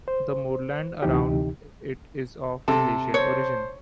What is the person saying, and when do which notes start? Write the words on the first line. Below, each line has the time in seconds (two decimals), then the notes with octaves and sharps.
The moorland around it is of glacial origin.
0.08 C5
1.02 D2 C3 E3 D#4 G4
2.68 C3 A4 A5
3.14 C5 C#5